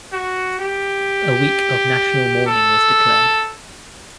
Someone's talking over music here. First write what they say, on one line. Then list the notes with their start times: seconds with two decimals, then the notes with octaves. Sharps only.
A week of national mourning was declared.
0.12 F#4
0.59 G4
2.46 A4